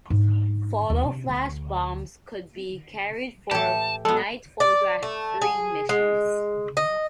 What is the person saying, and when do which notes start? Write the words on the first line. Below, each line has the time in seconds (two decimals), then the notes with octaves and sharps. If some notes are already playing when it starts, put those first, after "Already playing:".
Photo-flash bombs could be carried for night photography missions.
0.10 G#2 D4
0.90 D#2
1.03 C3
1.29 D2
3.51 A2 E3 G4 A4 A5
4.05 G#3 B3 A4
4.60 D5
5.03 A3
5.41 G#4
5.89 G#3
6.77 D#5